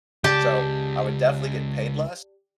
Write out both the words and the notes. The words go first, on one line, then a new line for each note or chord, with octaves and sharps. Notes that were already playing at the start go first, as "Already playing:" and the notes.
so I would definitely get paid less,
C#2 G4 D5 A5